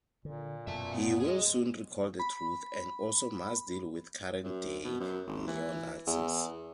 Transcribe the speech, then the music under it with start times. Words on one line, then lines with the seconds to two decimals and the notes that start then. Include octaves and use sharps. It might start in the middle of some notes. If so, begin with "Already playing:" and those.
He will soon recall the truth and also must deal with current-day Neo-Nazis.
0.25 A#2 D3
0.67 F#2 B2 E5 A5
0.94 B3
1.20 G#4 D#5
2.19 B5
4.44 F#2
4.85 B2
5.00 F#2
5.27 G#1
5.47 E3
6.07 E2